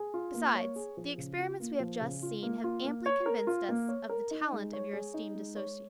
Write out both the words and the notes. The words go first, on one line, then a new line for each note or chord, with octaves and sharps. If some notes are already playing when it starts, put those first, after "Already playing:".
Besides, the experiments we have just seen have amply convinced us of the talent of your esteemed associates...
Already playing: G#4
F4
A#3
C#5
G#4
F3
C#3
F4
A#3
F3
C#3
F4
A#3
F4
A#3
C#5
A#4
F4
A#3
C#5
A#4
D#4
G#3
C#5
G#4
D#4
G#3
C#5